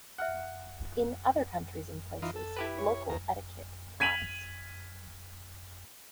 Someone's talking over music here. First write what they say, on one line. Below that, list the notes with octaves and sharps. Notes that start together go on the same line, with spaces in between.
In other countries and places, local etiquette applies.
E5 F#5 F6 F#6
E3 D#4 F4
A4
E4 G4 B4
C#5
D#2 A#5
G#6 B6 D#7 F7 F#7